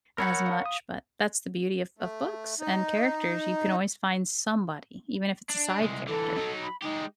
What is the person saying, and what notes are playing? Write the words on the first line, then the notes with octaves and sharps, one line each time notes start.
as much, but that's the beauty of of books and characters, you can always find somebody, even if it's a side character,
A#4 C#5 F#5 B5 E6 G6
F5
D#6
A3
D#4
D4
C2 G#3
D3 E3 A4
F#3 D#4
B5
G#3 D#4 G4